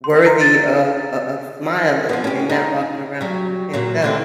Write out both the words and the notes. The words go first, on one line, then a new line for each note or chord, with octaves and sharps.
worthy of o of smiling and not walking around so pent up.
C6
A#5
A6
D5
F5
F3 B3
C#4 G4
D#4
F#3 G3
A#2 F#3
D2 D3 C4